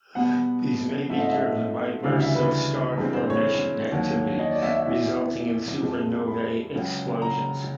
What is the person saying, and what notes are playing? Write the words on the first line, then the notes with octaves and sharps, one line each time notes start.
These may be driven by bursts of star formation activity, resulting in supernovae explosions.
B2 G3 B3 F#5
G#2 F3 A3 C4 E5
D#5
E5
D2 C#3 E3 G3 F5
E5
B4
G2 E3 G#3 C4
C5
C#5
D#2 D#3 F#3
D#5
D5
E5
E5
E2 C3 E3 E5
F2 C3 F3 G#3 C4
B5
C#2 C#3 F#3
A#5